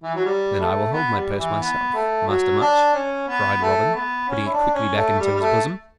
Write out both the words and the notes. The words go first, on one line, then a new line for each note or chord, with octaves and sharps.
"Then I will hold my purse myself, Master Much," cried Robin, putting it quickly back into his bosom.
E3
F#3
G3
A3
B3
G3
E3
B3
A3
F#3
D4
C#4
B3
A3
B3
C#4
E4
D4
C#4
A3
G3
G3
A3